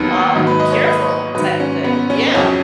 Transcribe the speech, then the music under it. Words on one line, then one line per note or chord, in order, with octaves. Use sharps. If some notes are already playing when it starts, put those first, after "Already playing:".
um, careful type of thing, yeah,
Already playing: D#2 D#3 F#3 B3 D#4
G#2 D#3 F#3
B4
D#5
C#5
B4
G#2 D#3 F#3 B4
C#4
B3
C#4
F2 C#3 F#3 C#4